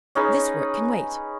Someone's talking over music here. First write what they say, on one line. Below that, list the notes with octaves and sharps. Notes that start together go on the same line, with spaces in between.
'This work can wait.
C#4 D#4 G#4 B4